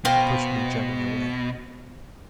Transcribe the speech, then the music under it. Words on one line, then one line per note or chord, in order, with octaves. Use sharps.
She pushed me gently away.
B2 C5 F5 G5